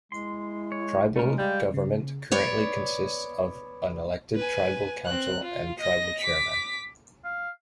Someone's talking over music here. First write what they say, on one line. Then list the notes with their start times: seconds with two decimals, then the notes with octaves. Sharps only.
Tribal government currently consists of an elected tribal council and tribal chairman.
0.12 G#3 E4 C6
0.72 C#5
1.16 G#3 A3 C#4 A#4
1.38 G3 F5 G5
1.74 C#3
2.32 B3 C#5 D5
4.35 B4 G#5
5.06 C4 F#6
5.42 F4
5.79 D#5 A#6
6.20 D6 B6
7.24 F5